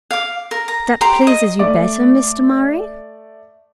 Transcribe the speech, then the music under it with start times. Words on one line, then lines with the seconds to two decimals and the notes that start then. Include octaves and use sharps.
"That pleases you better, Mr. Murray?"
0.11 F5 D6
0.51 A#4
0.68 A#5
1.01 G4 C5 A#5 C6
1.27 D#5
1.59 A3 D5 D6